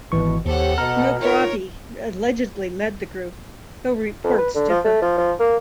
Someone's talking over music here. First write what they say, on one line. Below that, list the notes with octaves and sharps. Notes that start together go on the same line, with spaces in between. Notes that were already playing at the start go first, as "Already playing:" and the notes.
Mughrabi allegedly led the group, though reports differ.
G#1 B2 E3 C#6
D#2 G4 A4 C5 C#5 F#5
B2 A#5 F6
D#3 F4 A#4 C#5
F2
B4
D3
F3
A3
F3
F3
A#3